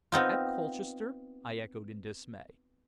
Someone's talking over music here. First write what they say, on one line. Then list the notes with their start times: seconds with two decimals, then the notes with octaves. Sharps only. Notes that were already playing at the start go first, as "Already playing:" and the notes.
"At Colchester!" I echoed in dismay.
0.12 B3 C4 D#4 F4